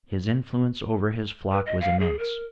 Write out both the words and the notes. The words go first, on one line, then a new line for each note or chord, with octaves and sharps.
His influence over his flock was immense.
B4
D#5
F5
G#4
A#4